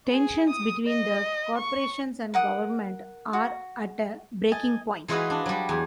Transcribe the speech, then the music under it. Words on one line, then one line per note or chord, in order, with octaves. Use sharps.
Tensions between the corporations and government are at a breaking point.
G#4
D#6
D#5
C#6
A#4 F#5 D#6
F#4
D#5 G#5 A5
E3 G#3 F4 F#4 G#4 B4
D4
F#3 G3
E2 G#5